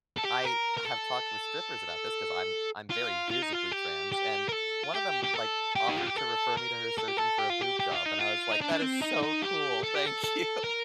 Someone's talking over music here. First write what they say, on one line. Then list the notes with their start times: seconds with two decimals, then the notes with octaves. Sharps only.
I have talked with strippers about this 'cause I'm I'm very visibly trans, and one of them, like, offered to refer me to her surgeon for a boob job, and I was, like, "That is so cool. Thank you!"
0.18 A4
0.25 G4
0.45 A#4
0.78 A#4
0.86 A4
2.90 F4
3.30 F4
3.42 D#4
3.53 F4
3.71 G4
4.12 G4
4.49 A#4
4.52 A4
4.84 F4
4.94 G4
5.24 G4
5.35 A4
5.75 G4
5.89 D#4
5.98 F4
6.06 G4
6.16 A4
6.57 A#4
6.98 A4
7.08 G4
7.17 A4
7.38 G4
7.50 F4
7.61 G4
7.80 G4
7.93 F4
8.06 D#4
8.19 F4
8.51 D#4
8.61 D4
8.72 D4
8.82 C4
9.01 D#4
9.23 D#4
9.42 G4
9.84 A4
9.95 G4
10.06 A4
10.24 A4
10.64 A#4